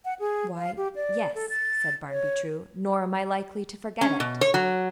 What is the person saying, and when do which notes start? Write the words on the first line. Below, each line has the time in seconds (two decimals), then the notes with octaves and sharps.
"Why, yes," said Barnaby True, "nor am I likely to forget it."
0.05 F#5
0.19 G#4
0.56 F5
0.77 G4
0.96 D5
1.35 A4
1.50 A6
2.09 C#5
4.01 C#4
4.20 B2
4.41 C#5
4.54 F#3